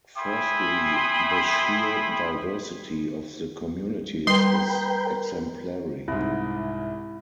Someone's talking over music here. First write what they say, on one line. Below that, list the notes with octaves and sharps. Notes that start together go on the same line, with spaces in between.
Firstly, the sheer diversity of the communities is exemplary.
E5 G5 G#5 B5 C6 D#6
G3 A#4 B4 G5 C6
C2 G#2 E4